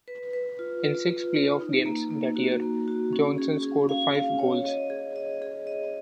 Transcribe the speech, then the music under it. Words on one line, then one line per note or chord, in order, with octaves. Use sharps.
In six playoff games that year, Johnson scored five goals.
B4
B4
F4
F4
F4
F4
D#4
A#3
A#3
F#4
A#3
F#4
C#4
G#4
G#4
F5
F5
C#5
D#5
G#4
D#5
G#4
D#5